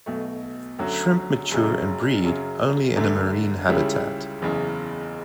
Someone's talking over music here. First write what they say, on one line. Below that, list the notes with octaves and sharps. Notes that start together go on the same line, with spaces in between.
Shrimp mature and breed only in a marine habitat.
B1 B2 A3
D2 D3 F#3 C#4 F#4
F#1 F#2 C#3 F#3
F#2 C#3 F#3
F#2 D3 A3
C#2 C#3 G3 C#4 E4
F#1 E2 C#3